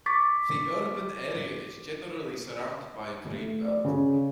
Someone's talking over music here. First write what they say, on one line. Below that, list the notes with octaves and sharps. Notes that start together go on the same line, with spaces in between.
The urban area is generally surrounded by a green belt.
C#6 D6 A6 B6
A3
D5
C#3